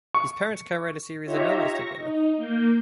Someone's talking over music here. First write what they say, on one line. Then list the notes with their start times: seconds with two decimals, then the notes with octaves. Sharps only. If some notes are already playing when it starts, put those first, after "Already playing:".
His parents cowrote a series of novels together.
0.15 C#6
1.25 D#4 F4 G4 C#5 E5 A#5
1.62 C#6 A#6
1.97 D#4
2.37 A#3 G6